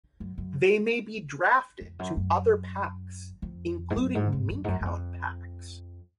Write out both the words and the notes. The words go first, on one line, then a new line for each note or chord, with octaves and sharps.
They may be drafted to other packs, including minkhound packs.
F#2
F#2
F2
F#2
F#2
F2
G#2
F#2
G#2
G#2
F#2
G#2
F#2
F#2
F2